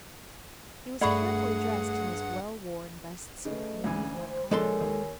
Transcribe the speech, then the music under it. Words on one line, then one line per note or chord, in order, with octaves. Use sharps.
He was carefully dressed in his well-worn best suit and a neat white collar.
G2 A3 G#4 D5 F#5 B5 C#6
C#3 A3 B4 D#5
D2 G#2 E3 C#4
C5
A#1 G#3 A4 A#4 C#5 G#5 C6
D#2